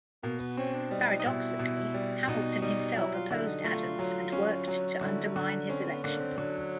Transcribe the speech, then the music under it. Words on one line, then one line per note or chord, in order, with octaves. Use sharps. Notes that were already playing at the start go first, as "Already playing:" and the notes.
Paradoxically, Hamilton himself opposed Adams and worked to undermine his election.
B2 A#3
B3
C4 C#4
D4
G3 D#4
D#4
B2 E4
B2
G3
B2 D#4
G3 D#4
F#3 E4
F4
D3 E4
D#4
A3 F4
F#3
C#4
F#3
D3 E4
D3
C4 C#4
B3
D3 A#3
C4
D3 F#3